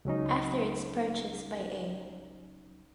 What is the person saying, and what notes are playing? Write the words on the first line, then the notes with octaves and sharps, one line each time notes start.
After its purchase by A.
C#2 F#3 C#4 D#4